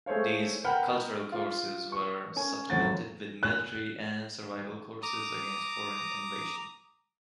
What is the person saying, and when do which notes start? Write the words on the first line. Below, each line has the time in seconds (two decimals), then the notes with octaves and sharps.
These cultural courses were supplemented with military and survival courses against foreign invasion.
0.06 G#3 A3 C5 C#5 F5
0.64 A#4 B4 F#5 G5 B5 F6
1.32 F4
1.92 C#6
2.36 C#4 A#4 G#5
2.70 G#1 F2 F#3 F#5 A6
3.43 F#6
5.03 A#5 D6 D#6